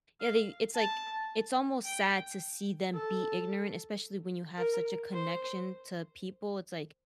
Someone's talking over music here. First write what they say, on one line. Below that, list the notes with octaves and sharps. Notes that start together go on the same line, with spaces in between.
Yeah, they it's like it's almost sad to see them be ignorant, especially when you have such a connection to people. It's, like,
F5
A5
G5
A4
A#4
C5